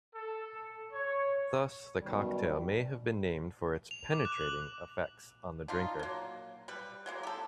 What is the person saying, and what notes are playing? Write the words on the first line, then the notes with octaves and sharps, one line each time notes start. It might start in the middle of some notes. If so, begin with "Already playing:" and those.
Thus, the cocktail may have been named for its "penetrating" effects on the drinker.
A4
C#5
F#2 B2 D#3 G3
F7
D6
F#6
F#7
D4 D#4 F4
F#3 A#3
G3 B4
F#3 G#3 A#3
G4 A4